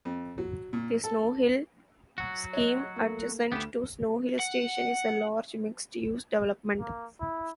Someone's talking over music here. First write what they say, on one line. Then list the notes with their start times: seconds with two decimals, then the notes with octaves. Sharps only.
The Snowhill scheme adjacent to Snow Hill station is a large mixed-use development.
0.05 F2
0.38 F#3
0.73 A#2
1.04 A4
2.18 F#3 F#4
2.53 C#5 D#5
2.96 A3 A#3
3.52 D2 B3 G4 E7
4.40 F#5
6.80 A#3
7.20 E4